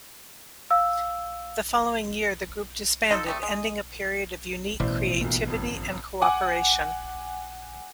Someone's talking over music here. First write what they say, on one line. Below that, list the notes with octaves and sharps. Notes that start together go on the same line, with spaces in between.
The following year the group disbanded, ending a period of unique creativity and cooperation.
F5 E6
D#4 F4 A4 D#5 C6 E6
G3 A3 C4 D#6
G#3
A1 B2 E4 C5 D5
B1 A#2
G1 F2
F#5 G#5 D6